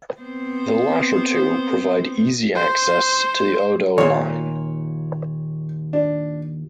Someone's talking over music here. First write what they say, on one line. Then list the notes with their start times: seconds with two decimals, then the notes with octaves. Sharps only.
The latter two provide easy access to the Oedo line.
0.21 B3 C4 C5
2.55 C5
3.98 D#2 A#2 C#5
5.93 D4